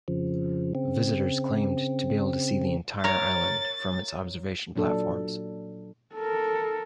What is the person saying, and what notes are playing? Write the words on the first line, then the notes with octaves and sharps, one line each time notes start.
Visitors claimed to be able to see the entire island from its observation platforms.
F2 C#3 F3
C#3 C4
A#4 C#5 A6
A#2 F#3 D4 A4
A4 A#4